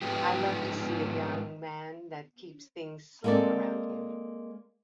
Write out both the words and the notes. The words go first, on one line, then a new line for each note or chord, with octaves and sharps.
I love to see a young man that keeps things slick around him.
G#2 F3 G#3 B3 G4
G#3 A#3 C4 A4 D5